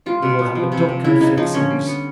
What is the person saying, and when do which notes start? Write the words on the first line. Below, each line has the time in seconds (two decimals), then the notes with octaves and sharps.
We will have a duck and fixings.
0.06 G3 F4
0.22 B2
0.39 B3
0.55 F3
0.72 C3
0.89 C3
1.04 C#3 E4
1.21 C#3 D#4
1.37 F3 D#4
1.53 D3 C#4
1.70 G3
1.87 B3